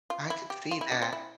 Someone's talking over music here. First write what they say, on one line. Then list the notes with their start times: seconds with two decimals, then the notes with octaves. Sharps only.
I could see that.
0.10 F4
0.30 E4
0.50 G4
0.71 F4
0.81 E4
0.92 D4
1.02 C4
1.13 E4